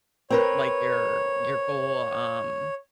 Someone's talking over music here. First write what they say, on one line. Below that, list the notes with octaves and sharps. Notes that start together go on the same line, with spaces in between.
like, your your goal, um
C4 A#4 B4 C#5